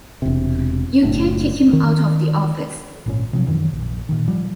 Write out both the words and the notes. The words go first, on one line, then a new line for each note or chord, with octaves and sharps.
You can't kick him out of the office.
E1 C3
F#1 A2 D4
D#3
G#1 A#2 C#4
C3 F3 F#3
F#2 D#3 E3
A#1
A#2 D#3
F3 G3